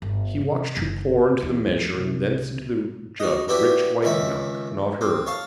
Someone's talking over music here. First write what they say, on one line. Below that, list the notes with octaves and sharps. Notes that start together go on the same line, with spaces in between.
He watched her pour into the measure and thence into the jug rich white milk, not hers.
G1
C3
F#1
E2
F2
C2
F#4 D#5
B3 D4 E4 F#4 G4 B4
C#2 D#3 C#5 E5
C4
C#5 F5 A5